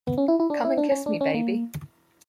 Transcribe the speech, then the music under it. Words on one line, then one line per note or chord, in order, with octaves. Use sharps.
Come and kiss me, baby.
B3
C#4
E4
E4
D4
E4
D4
C#4
D4
C#4
A#3